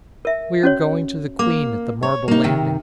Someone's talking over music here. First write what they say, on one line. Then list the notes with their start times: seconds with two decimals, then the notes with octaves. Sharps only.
We are going to the queen at the marble landing.
0.25 A#4 E5
0.63 C#4 F#4 C#5
1.39 A#3 D6
2.03 C#5
2.28 A#3 D#4
2.44 C3 D#3